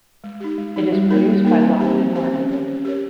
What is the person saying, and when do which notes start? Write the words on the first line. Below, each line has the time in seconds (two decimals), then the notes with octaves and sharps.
It is produced by Lockheed Martin.
0.24 G#3
0.40 D#4 G4
0.58 G#3
0.76 D#4 G4
0.92 G3
1.10 A#3 D#4 A#4
1.28 G3
1.45 A#3 D#4 A#4
1.62 C4
1.80 G4 C5
1.97 C4
2.15 G4 C5
2.33 C#4
2.49 G4 A#4 C#5
2.68 C#4
2.85 G4 A#4 C#5